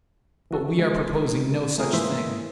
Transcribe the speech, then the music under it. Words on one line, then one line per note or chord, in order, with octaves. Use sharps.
But we are proposing no such thing.
E3 F#4 A4
G#3
A3 C4 F4 G#4 A#4
G#2 E3 A#3 C5 E5 C6